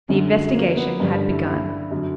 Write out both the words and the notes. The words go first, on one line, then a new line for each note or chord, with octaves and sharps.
The investigation had begun.
F#2 D3 F#3 C#4
A#3
B3
G2 D3 G3 C#4
D4
E4
E4
F#2 D3 F#3